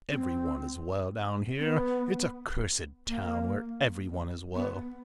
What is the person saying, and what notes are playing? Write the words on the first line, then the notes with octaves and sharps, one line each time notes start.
Every one is well down here. It's a cursed town, where every one is well!
C#4
C4
C4
B3
A#3
B3